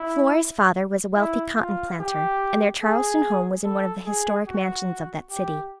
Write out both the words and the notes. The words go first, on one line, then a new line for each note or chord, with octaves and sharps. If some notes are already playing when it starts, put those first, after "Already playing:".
Flora's father was a wealthy cotton planter, and their Charleston home was in one of the historic mansions of that city.
Already playing: E4
E4
F4
G4
G#4
A4
G#4
F#4
G4